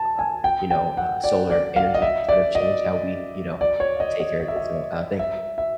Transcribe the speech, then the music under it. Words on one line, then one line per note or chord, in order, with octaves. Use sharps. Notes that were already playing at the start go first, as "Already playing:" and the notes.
uh, you know, uh, solar energy can sort of change how we, you know, uh, take care of it so, uh, thank you.
Already playing: A5
G#5
G5
G5
F#5
D5
D5
F5
D#5
E5
D5
D#5
D5
C#5
D#5
D#5
D#5
E5
D#5
E5
E5